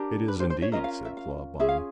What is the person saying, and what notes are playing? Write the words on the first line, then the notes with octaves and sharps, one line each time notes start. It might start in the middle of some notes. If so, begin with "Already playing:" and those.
"It is, indeed!" said Clawbonny.
Already playing: D4 G4 A#4
B4
C5
C5
C#5
C#4 F4 A#4 D#5
F5
E5
F5
C#4 F4 G#4 E5
F5